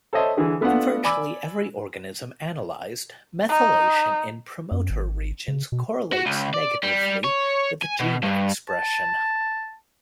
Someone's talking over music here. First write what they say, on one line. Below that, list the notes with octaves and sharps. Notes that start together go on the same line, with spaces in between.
In virtually every organism analyzed, methylation in promoter regions correlates negatively with gene expression.
A4 C5 C#5 D#5 E5 A5
D3 E3 G#4
A3 B3 D4 F4 F#5
D5 G#5 B5 D6 E6
D#4
F#2
G#1
C#3
B2
F#4
C#2
D5
G3
C#5
G#5
B2
G2
A5